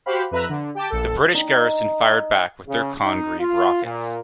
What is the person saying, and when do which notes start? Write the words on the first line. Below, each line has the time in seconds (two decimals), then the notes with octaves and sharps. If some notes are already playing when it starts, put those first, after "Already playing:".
The British garrison fired back with their Congreve rockets.
0.06 F#4 G4 C5 F5 B5
0.31 F2 B4 E5 A#5 B5 F#6
0.49 D3
0.75 G4 G5 A5 D6
0.90 A#1 A4
1.34 D#4
2.68 C#3
3.04 D#4
3.40 F4
3.84 A#2